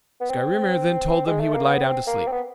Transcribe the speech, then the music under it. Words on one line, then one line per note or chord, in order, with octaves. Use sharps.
Skrymir then told them he would lie down to sleep.
B3
C4
G#3
A3
A#3
B3
C4
A#3
C4
B3